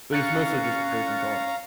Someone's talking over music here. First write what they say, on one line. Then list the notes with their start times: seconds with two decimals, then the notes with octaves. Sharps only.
But it's mostly just prayers and thoughts.
0.13 C#4 F5 A#5 F#6 A6 C#7